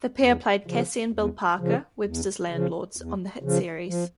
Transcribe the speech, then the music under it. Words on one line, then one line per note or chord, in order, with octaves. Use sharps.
The pair played Cassie and Bill Parker, Webster's landlords, on the hit series.
E2
C#3 F3
E2
C#3 F3
E2
C#3 F3
E2
C#3 F3
F3